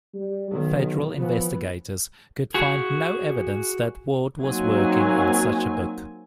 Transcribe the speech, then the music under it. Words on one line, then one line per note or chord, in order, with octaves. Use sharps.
Federal investigators could find no evidence that Ward was working on such a book.
G3
B1 D#3
E3 F3 B3
F#4 G#4
F#3 A#3 C4 D#4 G#5